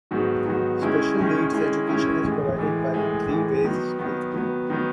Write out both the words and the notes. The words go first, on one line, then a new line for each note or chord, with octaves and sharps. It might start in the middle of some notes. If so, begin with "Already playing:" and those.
Special needs education is provided by Three Ways School.
G#2 D#3 F#3 B3 F#4
G#2 D#3 F#3 B3 F#4
D#3 G#3 C#4 E4
D#3 G#3 C#4 E4
D#3 G#3 C#4 E4
D#3 G#3 C#4 E4
A2 E3 G#3
A2 E3 G#3
A2 E3 G#3
A2 E3 G#3
D#3 F#3 B3
D#3 F#3 B3
D#3 F#3 B3
D#3 F#3 B3